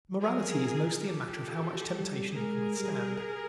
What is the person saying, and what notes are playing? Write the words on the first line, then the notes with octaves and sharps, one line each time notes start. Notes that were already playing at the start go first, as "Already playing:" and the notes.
Morality is mostly a matter of how much temptation you can withstand.
F#3 G#4 A#4
F3
F3 G4 A4
G3
G#3 G#4 A#4
G3